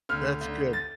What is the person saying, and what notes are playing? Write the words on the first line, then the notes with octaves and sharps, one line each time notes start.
That's good.
D2 F6
D2
A6